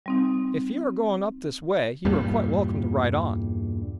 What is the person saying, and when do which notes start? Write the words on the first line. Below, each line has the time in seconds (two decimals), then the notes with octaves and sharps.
"If you are going up this way, you are quite welcome to ride on."
0.06 G3 C4 D#4
2.05 E2 G2 A#2 G3